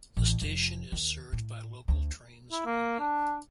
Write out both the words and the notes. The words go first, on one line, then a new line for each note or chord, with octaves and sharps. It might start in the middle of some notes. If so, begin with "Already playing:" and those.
The station is served by local trains only.
A1
F1
D#2
A2
D2
E4
A#3
D4